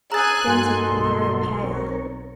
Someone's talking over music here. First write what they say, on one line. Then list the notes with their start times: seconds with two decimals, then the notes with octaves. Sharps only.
Denzil grew very pale.
0.12 G#4 G#5 A#5 E6 F#6 A6
0.47 G2 A#3 D#4 F#4 A4 C6
0.89 B1
1.64 C4 A#4 C#5